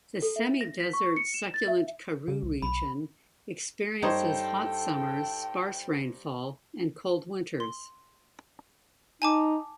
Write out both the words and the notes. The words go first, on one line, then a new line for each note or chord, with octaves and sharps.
The semi-desert Succulent Karoo region experiences hot summers, sparse rainfall and cold winters.
A4
E5
A#6
B6
C#6
C#7
E7
A6
E5
C#3
C2
B1 B5
G2 D#4 A4 C5 C#5 G5
C6
D#4 G#5 A5 D6